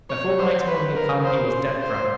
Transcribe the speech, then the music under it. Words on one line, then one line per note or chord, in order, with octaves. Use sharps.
Before the next morning had come he was dead drunk!
C#5
C5
B4
A#4
C5
C5